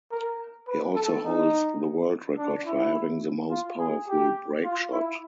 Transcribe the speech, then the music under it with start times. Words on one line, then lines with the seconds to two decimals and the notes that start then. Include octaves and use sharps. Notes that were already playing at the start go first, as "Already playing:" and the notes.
He also holds the world record for having the most powerful break shot.
0.12 A#4
0.67 B4
0.95 A4
1.24 D#4
2.38 D4
2.66 E4
3.51 F4
3.79 G#4
4.08 G4
4.64 F4
4.92 E4